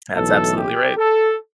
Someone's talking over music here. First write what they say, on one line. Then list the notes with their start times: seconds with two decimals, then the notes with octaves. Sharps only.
That's absolutely right.
0.15 B1 A2 E3 A4
0.57 G4
0.98 A4